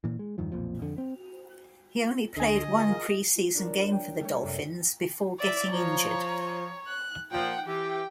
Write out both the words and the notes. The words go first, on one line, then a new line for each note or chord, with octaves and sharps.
He only played one preseason game for the Dolphins before getting injured.
A#2 E3
G#3
E2 G2 D#3 F3
B1 F2 A#2 F3
F2 D3
C4
D2 D3 A4 D#5 G#5 C6
F4 G#4 A#4
D4 A#4 C#5
G5
G3 A3 G4 C#5
F#2 C3 B6
D5 E5
F3 C#5 A#5
F#6
A#2 F3 F#5 G5
E3 G4 G5